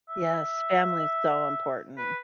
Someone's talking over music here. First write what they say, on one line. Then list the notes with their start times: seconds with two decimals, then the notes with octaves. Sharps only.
Yes, family is so important.
0.09 E5
1.97 B4